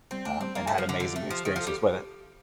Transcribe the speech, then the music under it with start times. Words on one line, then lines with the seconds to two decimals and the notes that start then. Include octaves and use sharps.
um, and had amazing experiences with it.
0.11 G3 C4
0.25 A3 D4
0.40 G3 C4
0.55 G3 A#3
0.67 A3
0.78 F3
0.89 D3
1.00 D3 F4
1.16 A3
1.22 G4
1.31 F3
1.45 D#3 G4
1.56 F3 A4
1.67 G3